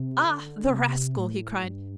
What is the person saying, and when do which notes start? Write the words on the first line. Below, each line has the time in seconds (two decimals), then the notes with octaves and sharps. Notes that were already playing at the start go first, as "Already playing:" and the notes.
"Ah, the rascal!" he cried.
Already playing: C3
0.25 D3
0.70 C3
1.17 A2
1.64 G2